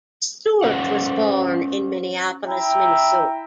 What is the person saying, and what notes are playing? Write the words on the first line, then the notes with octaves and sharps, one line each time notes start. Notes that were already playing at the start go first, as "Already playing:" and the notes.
Stewart was born in Minneapolis, Minnesota.
C#4 F4 C5 F#5
E4 E5 G5 A#5